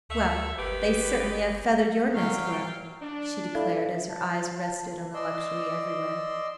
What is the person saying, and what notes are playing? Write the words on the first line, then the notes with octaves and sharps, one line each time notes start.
"Well, they certainly have feathered your nest well!" she declared as her eyes rested on the luxury everywhere.
D2 A3 E5
G1 D#3 G4 B4
F#3 G3 F5 G5
D4
E4 A4 D5 F5
A5
D5 D#5 C6 E6